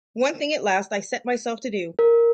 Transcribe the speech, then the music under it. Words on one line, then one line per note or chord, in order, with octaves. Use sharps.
One thing at last I set myself to do.
A#4